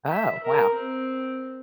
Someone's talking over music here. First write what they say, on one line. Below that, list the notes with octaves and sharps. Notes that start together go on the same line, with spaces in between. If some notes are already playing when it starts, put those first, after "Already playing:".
Oh, wow.
E5
A#4
C4